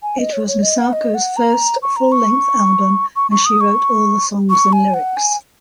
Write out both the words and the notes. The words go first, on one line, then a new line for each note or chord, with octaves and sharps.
It was Misako's first full-length album, and she wrote all the songs and lyrics.
G#5
D#5
C#5
C#5
D#5
F#5
D#5
F#5
A#5
C#6
A#5
C#6
C#6
C#6
D#6
C#6
C#6
G#5
F#5
G#5